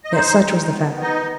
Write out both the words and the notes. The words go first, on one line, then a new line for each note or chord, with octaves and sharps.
Yet such was the fact.
D#5
D#4 C5
D#3
B3
D#4 D#5